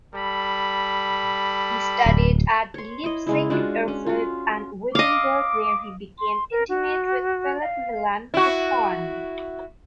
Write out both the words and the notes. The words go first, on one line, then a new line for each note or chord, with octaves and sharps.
He studied at Leipzig, Erfurt and Wittenberg, where he became intimate with Philipp Melanchthon.
G3 A4 B5
D1
C#5 C6
E4 D#5
C#3 G#3 E4
G#3 D4 F4 F#4
C#4
F4 F#4
D#5 F5 D6
C6
A#4
F#4
F5
E4 F#4